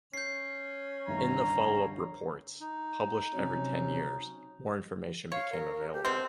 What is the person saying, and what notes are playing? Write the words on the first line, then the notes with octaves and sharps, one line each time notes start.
In the follow-up reports, published every ten years, more information became available.
C#4 G6 C7
G1 C2 D#3 A#5
D#4
C3 F#3 C#4
C#5 F5
A#4
G4
B2 C4